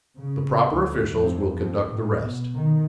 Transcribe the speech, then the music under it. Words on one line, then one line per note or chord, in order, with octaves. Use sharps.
The proper officials will conduct the rest....
C#3
D2
F2
F2
A2
B2
D#3